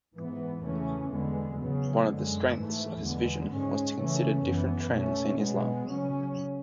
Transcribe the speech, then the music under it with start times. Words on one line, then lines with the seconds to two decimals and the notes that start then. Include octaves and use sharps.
One of the strengths of his vision was to consider different trends in Islam.
0.16 G#2 E3 B3
0.64 E2 C#3 E3 A3 C#4
1.11 E2 D3 G#3 B3
1.59 C#3 F#3 B3
2.07 F#2 D3 G#3
2.55 G#2 E3 A3
3.03 E2 D3 G#3 B3
3.50 G#2 G#3 C#4
3.98 C#3 E3 A3 C#4
4.45 F#2 E3 B3
4.93 B2 A3 C#4
5.41 B2 G#3 B3
5.89 C#3 F#3 C#4